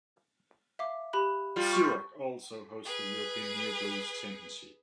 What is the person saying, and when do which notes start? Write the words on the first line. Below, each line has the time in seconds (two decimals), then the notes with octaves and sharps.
Ceroc also hosts the European Neo-Blues Championships.
0.79 E5 F5 D6
1.13 G4 B5 F#6
1.56 G3 F4
1.73 C#6
2.85 G#4 B4